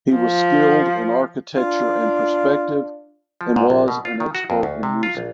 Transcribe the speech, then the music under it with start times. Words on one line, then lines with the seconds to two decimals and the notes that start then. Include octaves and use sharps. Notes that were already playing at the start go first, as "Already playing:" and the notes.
He was skilled in architecture and perspective and was an expert in music.
0.15 F3
1.57 D4 F4
3.41 F3
3.56 G#2
3.70 A#1
3.88 B2
4.05 F4
4.20 D#3
4.35 F#4
4.50 F2
4.63 D2
4.83 C3
5.03 F4
5.17 A#1